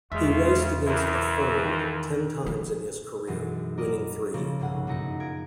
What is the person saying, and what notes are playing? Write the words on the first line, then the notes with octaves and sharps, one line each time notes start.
He raced against Affirmed ten times in his career, winning three.
E2 C#3 G#3 F4 E5
F2 E3 E4 A#4
D#3
F3
F#2 B2 E3 F#3 G#3 D#4
A#4 D5 D#5 F6
C#3 F3 A3 A#3 C4 C#4
B1 G2 C3 C#4 G#4 F#5
F#2 D#4 E4 A#5 C#7
F4 A#4 G#6 D7